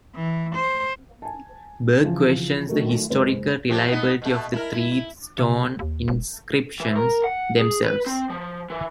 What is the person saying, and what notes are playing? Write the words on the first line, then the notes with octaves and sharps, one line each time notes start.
Berg questions the historical reliability of the three stone inscriptions themselves.
E3
C5
G#5 A5
C#3 E3 F3 C#4
D#3 F#3 A3 A#4
F#1 G#3 B4 C5
F3 A3 G4
B3 D#4
B2 A3
E4 A#4
E4
E4
C3
D#2
E1
E3
A#4
F#5
G#4
B4
C4
F3
E3